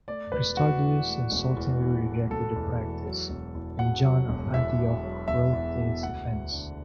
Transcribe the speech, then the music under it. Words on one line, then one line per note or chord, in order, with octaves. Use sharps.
Christodulus insultingly rejected the practice, and John of Antioch wrote in its defence.
A3 D5
E1 B4
E2 F#4
E3
A3
E1
E2
E3
A3
E1 A4
E2
E3
F#3
E1
E2
B2 F#5
F#3
E1
E2 E5
B2
F#3
E1 E5
E2
B2
D2 F#5
D2
D3